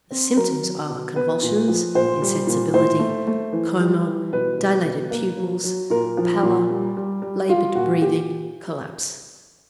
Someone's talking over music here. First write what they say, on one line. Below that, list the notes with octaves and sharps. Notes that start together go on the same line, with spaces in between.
The symptoms are convulsions, insensibility, coma, dilated pupils, pallor, laboured breathing, collapse.
C4
F#3 A#4
F#3
B2
B3 B4
A#2
F3
A#2 C5
G3
A#2
A2 C5
A3
A3
E3
G3
E3
B2 B4
B2
B2
A#3
F#3
F#3
A#2 A#4
F3
A#2
G3
G3
G3
G3 F4
A#2 F#4
A#2 G4